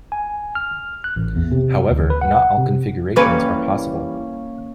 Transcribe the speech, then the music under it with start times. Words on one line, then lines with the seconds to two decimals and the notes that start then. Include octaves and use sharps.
However, not all configurations are possible.
0.12 G#5
0.55 F6
1.04 F#6
1.16 A1
1.36 E2
1.52 C3
1.90 D2
2.10 B4
2.21 F#5
2.57 C3
3.16 E3 G3 A#3 C#4 B4